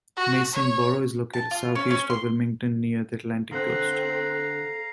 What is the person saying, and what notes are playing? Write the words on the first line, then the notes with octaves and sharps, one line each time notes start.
Masonboro is located southeast of Wilmington near the Atlantic coast.
F#4
C#5
A5
F4
C#4
C#4
C6
D3 C4 A4 F5 F#5 A#5